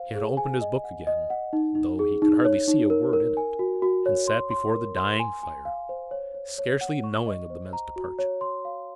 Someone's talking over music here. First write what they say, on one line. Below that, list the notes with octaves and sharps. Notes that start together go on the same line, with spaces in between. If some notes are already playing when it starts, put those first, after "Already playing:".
He had opened his book again, though he could hardly see a word in it, and sat before the dying fire, scarcely knowing of the men's departure.
Already playing: C5 F5
G#4
G#5
D#5
F#5
D#5
F#5
D#4
D#4
G#4
D#4
C#5
D#4
A#4
A#4
G#5
F#4
F#4
C#5
C6
C6
A#4
C6
G#5
G#5
F5
C5
C#5
C#5
C#5
F#5
C#6
D#5
C5
A#5
F#4
C#5
C6
F5